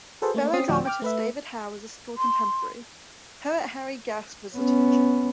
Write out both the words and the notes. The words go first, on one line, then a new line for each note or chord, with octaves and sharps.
Fellow dramatist David Hare was a school contemporary; poet Harry Guest was a teacher.
F#4 G#4 A4 B4 C5
A3 A#3 C#5
C4 C#4 D#6 C7
D2 A2 F3 F#4 D5 G5
G5 D6 F6
A3 B4 E5
C6
B3 C#4